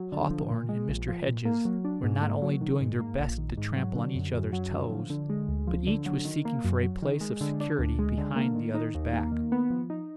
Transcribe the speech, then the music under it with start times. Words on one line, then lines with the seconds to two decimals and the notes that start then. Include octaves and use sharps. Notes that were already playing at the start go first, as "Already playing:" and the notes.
Hawthorn and Mr. Hedges were not only doing their best to trample on each other's toes, but each was seeking for a place of security behind the other's back.
Already playing: F#3
0.12 D3
0.30 F3
0.51 A#2
0.69 G#3
0.89 A#1
1.08 F3
1.27 A#2
1.45 A#3
1.65 F#3
1.85 D4
2.03 G#2
2.22 A#3
2.42 F#3
2.61 D#3
2.81 G#2
3.00 A#3
3.19 A#1
3.38 D#3
3.57 G#2
3.76 F#3
3.95 D3
4.15 F#2
4.33 F#2
4.53 F#3
4.71 D3
4.91 F3
5.10 D3
5.29 G#3
5.48 D2
5.67 F3
5.87 D3
6.06 F#3
6.25 D#3
6.45 A#3
6.64 F#2
6.83 F#3
7.02 D#3
7.21 G#3
7.41 D3
7.60 D4
7.79 D2
7.99 G#3
8.18 D3
8.36 A#3
8.55 D#3
8.74 D#4
8.95 D#2
9.13 A#3
9.32 D#3
9.52 B3
9.70 F3
9.90 D#4